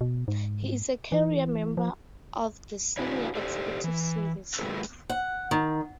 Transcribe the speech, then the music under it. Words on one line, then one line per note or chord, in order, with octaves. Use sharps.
He is a career member of the Senior Executive Service.
B2
G#2
E3
F3
D4 E4 F#4 G#4 B4 C#5
G4 A4 C5 D5
E3
G3 A3 F4 G#4 A4 B4
F#5
D#3